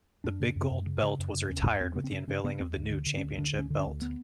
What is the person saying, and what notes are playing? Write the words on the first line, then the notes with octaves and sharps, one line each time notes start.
The Big Gold Belt was retired with the unveiling of the new championship belt.
F#2 D4
C#3
F#2
F#2
C#3
C#3
F#2
C#3
E2 C#4
E2
E2 C4
C#3 B3
C4
C#3 C#4
C#3 C#4
C#3 B3
E2 C4
D2
D3
D3
C#4
D2
D3 D4
D2
C#4
D3
C#4
D2
B3